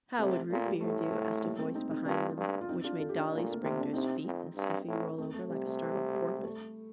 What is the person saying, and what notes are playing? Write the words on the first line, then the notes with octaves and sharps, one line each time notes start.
'How would root-beer do?' asked a voice behind them, which made Dolly spring to his feet and Stuffy roll over like a startled porpoise.
C3 A3 C4
A#2 A3
G3
A2 A3
A3
G3 A#3
A3 C4
C4 D#4
C4 D#4
G2 D4 F4
G2
F4
C4 D#4
D4 F4
F4 A4
G4
D4 F4
A#2
A3
A#3
C3 C4
D4
C3 C4 D#4
F2
G2
A2
A3 C4
A3
C3 G3
A3
A3
G3
G3
G3
A3